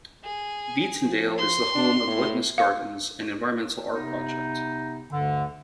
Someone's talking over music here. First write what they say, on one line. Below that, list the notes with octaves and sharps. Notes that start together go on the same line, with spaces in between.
Vintondale is the home of Litmus Gardens, an environmental art project.
G#4
F3
C6
D4
A2
F5
C3 B3 D#4
D2 G2 D3